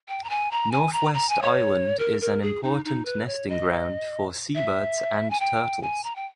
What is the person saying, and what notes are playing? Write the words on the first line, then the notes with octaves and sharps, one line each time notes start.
North West Island is an important nesting ground for seabirds and turtles.
G5
A#5
G#5
A#5
G#5
A#5
A#5
G#5
C#5
A#4
A#4
G#4
D#4
D#4
B4
C#5
D#5
E5
G#5
G5
G#5
A#5
G5